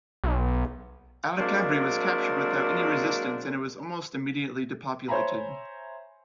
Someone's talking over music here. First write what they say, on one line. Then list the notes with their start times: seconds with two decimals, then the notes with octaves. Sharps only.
Al-Kabri was captured without any resistance and it was almost immediately depopulated.
0.24 B1
1.38 F#3 G#3 A#3 C4 D4
5.08 C5 C#5 E5 G#5 A#5 B5